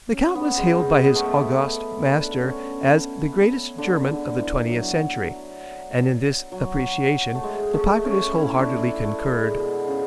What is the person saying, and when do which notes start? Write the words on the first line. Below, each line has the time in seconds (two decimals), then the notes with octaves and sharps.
The Count was hailed by his august master as "The greatest German of the twentieth century," and in this appreciation the populace wholeheartedly concurred.
0.13 C#4
0.35 B3
0.58 G#3
1.04 B3
1.15 A3
1.26 B3
2.18 D4
2.40 C#4
3.78 D3
4.08 D3
4.39 E3
4.69 F#3
6.52 F#3
7.35 A3
7.43 G#3
7.73 A3
8.05 C#4
8.35 E4
8.58 D4
8.80 D4
9.04 A3
9.26 G#3
9.57 B2
9.87 C#3